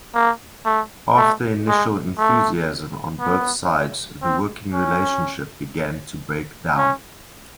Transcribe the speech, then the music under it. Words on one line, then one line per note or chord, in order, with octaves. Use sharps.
After initial enthusiasm on both sides the working relationship began to break down.
A#3
A3
A3
G#3
A3
B3
C4
C#4
C#4